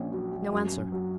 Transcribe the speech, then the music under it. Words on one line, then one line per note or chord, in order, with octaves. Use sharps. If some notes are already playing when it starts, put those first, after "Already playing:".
No answer.
Already playing: A#1 C#4
F#3
F#3
F#2
F#2
F#3